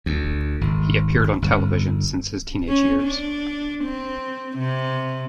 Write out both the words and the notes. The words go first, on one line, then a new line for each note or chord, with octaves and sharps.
He appeared on television since his teenage years.
D2
G#1
G1
C#4
D4
C4
C3